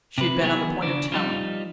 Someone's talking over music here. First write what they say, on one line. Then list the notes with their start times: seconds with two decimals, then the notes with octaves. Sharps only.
She had been on the point of telling.
0.18 C3 B4
0.41 D#3 F#3 B3 G#4
0.82 C#3 D4
1.12 F3 G3 D#4